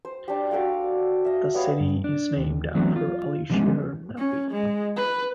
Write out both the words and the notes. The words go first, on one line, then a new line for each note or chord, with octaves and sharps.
The city is named after Ali-Shir Nava'i.
C5
D4 G4
F#4 A4 D5 F5
D#5 E5
G3 B3 C#5 F5
G2
D4
D#2
E3 F#3 A3 B3 C4 D4
F4
D3 F3 G3 G#3 B3 C#4
C#4
G#3
B4